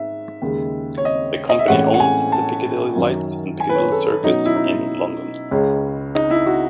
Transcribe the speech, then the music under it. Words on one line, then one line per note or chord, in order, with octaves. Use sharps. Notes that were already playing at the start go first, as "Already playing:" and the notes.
The company owns the Piccadilly Lights in Piccadilly Circus in London.
Already playing: G#2 E5
D#2 C#3 G#3
C#5
D#5
D#5
E5
A2 E3 G#3 C#4 F#5
F#5
G#5
A5
F#2 D#3 F#3 C#4
G#5
B4
C#5
A4
B2 F#3 C#4 D#4
E4
D#4
C#2 C#3 G#3 C#4
D#4
E4
F#4